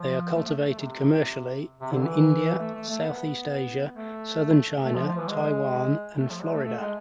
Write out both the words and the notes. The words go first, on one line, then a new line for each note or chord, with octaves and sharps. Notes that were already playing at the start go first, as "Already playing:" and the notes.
They are cultivated commercially in India, Southeast Asia, southern China, Taiwan, and Florida.
Already playing: F3
A3
A3
A3
A3
C3
C3
D3
E3
A3
A3
A3
B3
A3
A3
F3
F3
E3
G#3
A3
F3
G#3
A3
A3
G#3